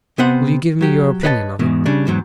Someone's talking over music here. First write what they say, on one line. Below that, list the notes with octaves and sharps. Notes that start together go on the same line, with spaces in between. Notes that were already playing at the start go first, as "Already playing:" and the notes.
Will you give me your opinion of it?'
C3 B3 C5 F#5
F#3 G4
B4 C#5 D#5 F5 A5
E2 G#2 B2
C#3 G3 D4
E2 G#2 F#3